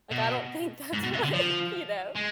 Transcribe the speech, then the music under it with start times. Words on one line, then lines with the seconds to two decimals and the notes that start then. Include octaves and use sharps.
Like, I don't think that's what you know?
0.11 B2
0.93 G#2
1.03 B2
1.13 C3
1.23 D3
1.33 F3
2.15 G#3